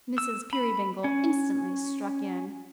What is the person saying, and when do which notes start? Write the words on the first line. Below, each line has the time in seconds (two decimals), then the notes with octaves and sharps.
Mrs. Peerybingle instantly struck in.
0.18 E6
0.53 B5
1.04 C#4